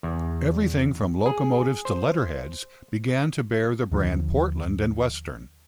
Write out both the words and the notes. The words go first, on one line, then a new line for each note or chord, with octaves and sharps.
Everything from locomotives to letterheads began to bear the brand Portland and Western.
E2
G#4
C5
D#2 D3 F3